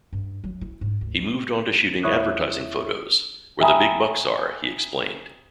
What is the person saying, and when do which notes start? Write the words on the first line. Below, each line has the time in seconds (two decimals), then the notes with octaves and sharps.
He moved on to shooting advertising photos, "where the big bucks are," he explained.
0.12 G2
0.44 F#3
0.61 E4
0.81 G#2
1.01 D2
2.03 E2 E4 C#5 E5 D#6 F#6
3.60 E5 G5 G#5 A#5 B5 D#6